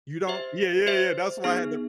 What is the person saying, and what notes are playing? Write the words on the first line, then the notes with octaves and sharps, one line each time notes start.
You don't Yeah, yeah, yeah, that's why I had to
G4 C5 E5
G4 C5 E5
B3 D#4 G#4